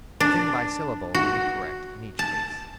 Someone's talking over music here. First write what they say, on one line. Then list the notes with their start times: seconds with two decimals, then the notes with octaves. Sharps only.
"Sing by syllable" would be correct in each case.
0.20 D4
1.15 F#4
2.19 A5